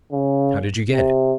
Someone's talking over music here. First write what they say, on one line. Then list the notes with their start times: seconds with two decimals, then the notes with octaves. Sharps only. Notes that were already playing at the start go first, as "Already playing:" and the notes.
"How did you get it?"
0.12 C#3
0.92 C3